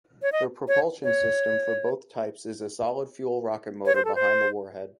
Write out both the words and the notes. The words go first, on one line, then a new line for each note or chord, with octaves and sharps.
The propulsion system for both types is a solid-fuel rocket motor behind the warhead.
C#5
D#5
C#5
C#5
C#5
C5
A4
C5